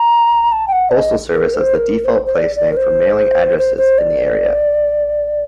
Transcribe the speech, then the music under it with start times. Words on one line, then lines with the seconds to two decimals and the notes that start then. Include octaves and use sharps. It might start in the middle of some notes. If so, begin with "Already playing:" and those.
Postal Service as the "default" place name for mailing addresses in the area.
Already playing: A#5
0.52 A5
0.68 G5
0.72 F#5
0.90 D5
0.94 D#5
1.33 A#4
1.54 C5
1.75 A#4
2.05 C5
2.26 C5
2.35 D5
2.56 D5
2.72 A#4
2.77 C5
3.58 C5
3.77 C5
3.98 D5